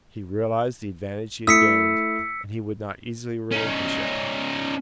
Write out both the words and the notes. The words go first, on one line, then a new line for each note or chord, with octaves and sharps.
He realized the advantage he had gained, and he would not easily relinquish it.
A3 E4 D#6 E6 B6 C#7
C#4 D#4